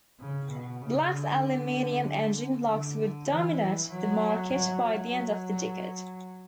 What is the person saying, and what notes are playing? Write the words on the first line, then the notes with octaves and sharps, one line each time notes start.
Black's aluminum engine blocks would dominate the market by the end of the decade.
C#3
B2
C#3
D3
D3
E3
F#3
F#3
F#3